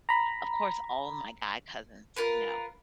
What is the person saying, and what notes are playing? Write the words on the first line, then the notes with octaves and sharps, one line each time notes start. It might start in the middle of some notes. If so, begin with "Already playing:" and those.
of course, all my guy cousins know
A#5 B5
F4 A#4 B4